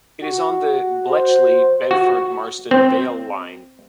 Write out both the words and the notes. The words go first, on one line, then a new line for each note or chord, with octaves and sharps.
It is on the Bletchley - Bedford Marston Vale Line.
F#4
C5
F#4
C4